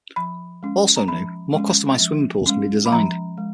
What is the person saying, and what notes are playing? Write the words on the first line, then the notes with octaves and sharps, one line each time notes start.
Also new, more customized swimming pools can be designed.
F3 B5
G#3 C#4
A#5
F3 B5
G#3 C#4
F3
G#3 C#4
B5
F3 A#5
G#3